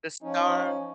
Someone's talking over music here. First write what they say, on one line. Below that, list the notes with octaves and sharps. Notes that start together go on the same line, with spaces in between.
The star
F3 C#4 D#4